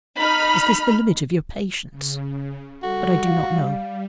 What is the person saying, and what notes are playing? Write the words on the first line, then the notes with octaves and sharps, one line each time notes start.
"Is this the limit of your patience?" but I do not know.
D#4 B5 F6
C#3
G3 F#4 A4
F5